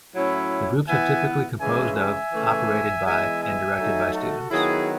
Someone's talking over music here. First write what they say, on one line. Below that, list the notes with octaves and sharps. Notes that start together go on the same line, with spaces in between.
The groups are typically composed of, operated by, and directed by students.
A2 F#3 C#4 E4
E3 B3 E4 E5 G#5
C#3 E3 G#3 E5 G#5
E5 G#5
C#3 E3 A3
E3 G#3 B3 E5 G#5
E5 G#5
F#3 A3 D#4
F#4 A4
D#3 F#3 B3 E4 G#4